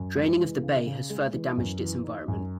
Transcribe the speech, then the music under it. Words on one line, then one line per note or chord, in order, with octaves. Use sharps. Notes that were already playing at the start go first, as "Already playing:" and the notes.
Draining of the bay has further damaged its environment.
Already playing: F#2
G#3
E3
C#3
C#3
G#3
E3
F#2
E3
D#4
F#2